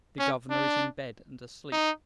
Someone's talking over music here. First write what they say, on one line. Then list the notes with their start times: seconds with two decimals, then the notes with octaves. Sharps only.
"The governor is in bed, and asleep."
0.19 C#4
0.50 D4
1.72 D#4